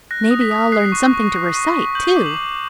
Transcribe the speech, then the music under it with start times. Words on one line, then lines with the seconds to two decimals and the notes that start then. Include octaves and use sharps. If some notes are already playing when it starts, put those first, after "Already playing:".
"May be I'll learn something to recite, too."
0.11 F#6 A#6
0.31 D#6
0.41 B6
0.51 D#6
0.72 F#6 C7
0.92 C#6
1.13 C#6
1.34 F#6
1.55 C#6
1.75 C#6
1.95 G6 F#7
2.16 D6
2.26 F#7
2.37 D6